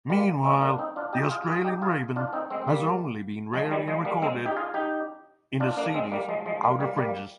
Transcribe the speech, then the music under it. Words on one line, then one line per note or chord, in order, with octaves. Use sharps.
Meanwhile, the Australian raven has only been rarely recorded in the city's outer fringes.
G3 A#3
G#3 C4
A#3 D4
C4 D#4
D4 F4
D#4 G4
F4 G#4
F4 G#4
D#4 G4
F4 G#4
D4 F4
C4 D#4
G#3 C4
C4
G3 A#3
F3 G#3
D#3 G3
F3 G#3
G3 A#3
G#3 C4
D#4 G4
F4 G#4
D#4 G4
D4 F4
A#3 D4
G#3 C4
G3 A#3
F3 G#3
F3 G#3
G3 A#3
G3 A#3
G3 A#3